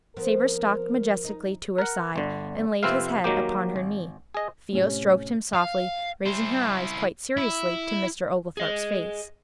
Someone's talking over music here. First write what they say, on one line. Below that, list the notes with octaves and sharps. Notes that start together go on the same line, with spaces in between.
Sabre stalked majestically to her side, and laid his head upon her knee. Theo stroked him softly, raising her eyes quite seriously to Mr. Oglethorpe's face.
F3 B3 C4 A#4
D#4
A#4 F#5
G1 D3
F2 C3 C4 B4 E5 F5
D#3 F#3 G#3 A#3 G4
G#1
G#4 D#5
A2 C3 C#4
F5
E4 C5
E4
G#4 D#5